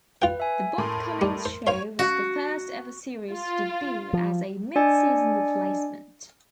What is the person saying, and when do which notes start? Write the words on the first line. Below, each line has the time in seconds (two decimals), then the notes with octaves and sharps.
"The Bob Cummings Show" was the first-ever series to debut as a midseason replacement.
0.22 F4 B4 G5
0.40 E5 G#5
0.78 A2 A#4 C6
1.21 G3
1.45 C5
1.67 C5 C#5 F5 C6
1.99 F#4
3.32 F4
4.13 F3
4.76 D4 D5 D#5 G#5 E6 C#7